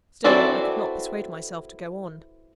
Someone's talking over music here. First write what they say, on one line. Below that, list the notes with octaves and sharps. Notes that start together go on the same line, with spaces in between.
Still I could not persuade myself to go on.
E3 C4 F#4 A4 D5